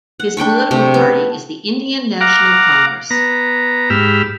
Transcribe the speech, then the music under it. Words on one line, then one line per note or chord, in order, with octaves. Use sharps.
His political party is the Indian National Congress.
F#5
D4 G5 B5 C#6
C3 A3
B3
F5 F#5 A#5 D6
B3 A#5
G#2 G4 B5 E6 F6